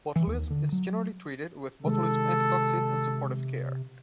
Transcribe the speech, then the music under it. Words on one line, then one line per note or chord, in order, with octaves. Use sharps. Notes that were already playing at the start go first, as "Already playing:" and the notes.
Botulism is generally treated with botulism antitoxin and supportive care.
E3
D#2
D3
F#3
C3 D#3 G#3 A4